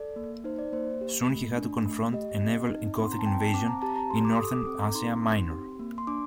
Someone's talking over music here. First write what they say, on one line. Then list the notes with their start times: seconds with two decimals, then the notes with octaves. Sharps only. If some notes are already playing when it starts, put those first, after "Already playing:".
Soon he had to confront a naval Gothic invasion in northern Asia Minor.
Already playing: A4 D5
0.16 A#3
0.44 D#4 C5
0.59 D5
0.72 A#3 C5
1.01 G4
1.29 A3
1.57 D4
1.86 A3
2.13 G4 D#5
2.42 C4
2.70 D#4
2.98 C4
3.04 C6
3.12 A#5
3.19 A5
3.26 C4 G5
3.40 A5
3.54 C4 D6
3.68 A#5
3.82 G4 A5
3.96 A#5
4.10 G4 C6
4.25 D6
4.39 A4 D#6
4.53 D6
4.67 C4
4.81 A#5
4.90 D6
4.95 D#4 C6
5.23 C4
5.51 G4
5.79 A#3
5.98 C6
6.07 D4 D6